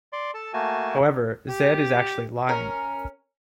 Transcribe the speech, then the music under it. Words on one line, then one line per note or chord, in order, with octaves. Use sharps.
However, Zedd is actually lying.
D5 C6
A4 A5
A3 A#3 F#4 G#5 A5
G4
C#4 A#4